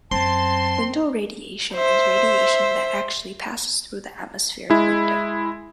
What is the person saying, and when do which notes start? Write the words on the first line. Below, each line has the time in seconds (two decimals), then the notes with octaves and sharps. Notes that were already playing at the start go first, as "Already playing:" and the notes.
Window radiation is radiation that actually passes through the atmospheric window.
0.11 F#2 C4 A5 C6
1.74 C5 E5
4.70 G#3 E4